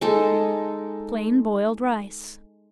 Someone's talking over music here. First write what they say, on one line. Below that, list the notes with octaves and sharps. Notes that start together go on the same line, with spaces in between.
Plain Boiled Rice.
G#3 D#4 A4